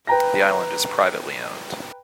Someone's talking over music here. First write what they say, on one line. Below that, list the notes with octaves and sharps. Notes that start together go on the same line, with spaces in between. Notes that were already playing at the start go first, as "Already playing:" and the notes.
The island is privately owned.
B4 G5 A#5 A#6